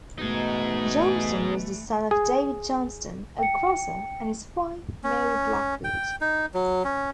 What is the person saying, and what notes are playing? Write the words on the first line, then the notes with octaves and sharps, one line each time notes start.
Johnston was the son of David Johnston, a grocer, and his wife, Mary Blackwood.
B2 E3 A3 D#4 G#4
G#4
G5 C#7
C#4
G5
D#4
F#3
C#4